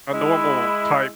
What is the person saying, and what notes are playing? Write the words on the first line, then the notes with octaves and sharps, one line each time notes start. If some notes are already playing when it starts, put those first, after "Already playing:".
a normal type,
G#3 E4